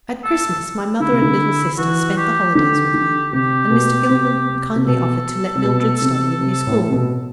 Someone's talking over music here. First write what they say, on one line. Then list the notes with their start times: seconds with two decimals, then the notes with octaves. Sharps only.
At Christmas, my mother and little sister spent the holidays with me, and Mr. Gilman kindly offered to let Mildred study in his school.
0.24 A4
1.00 D3 E4
1.12 C3
1.22 D3
1.78 E3 F#4
2.17 G4
2.55 D3 G4
2.94 D3
3.32 C3 G4
3.70 B2
4.09 C3
4.76 C3
4.86 B2 A4
5.55 C3
5.64 B2
6.02 C3
6.41 C3
6.67 A2
6.88 C3
6.92 B2